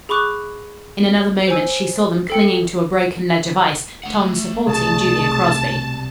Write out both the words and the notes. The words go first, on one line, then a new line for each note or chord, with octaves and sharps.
In another moment she saw them clinging to a broken ledge of ice, Tom supporting Julia Crosby.
G#4 B5 C#6 D6 F#6
C5 C#5 G#5 E6
A4 G5 C#7
A3 F#5
C2 B2 G#4 A5